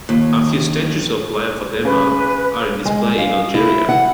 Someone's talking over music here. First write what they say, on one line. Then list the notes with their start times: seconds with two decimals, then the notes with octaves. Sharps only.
A few statues of Lalla Fatma are in display in Algeria.
0.09 D#2
1.85 C#3 B4
2.85 G#3
3.19 F5
3.54 E4
3.89 F#5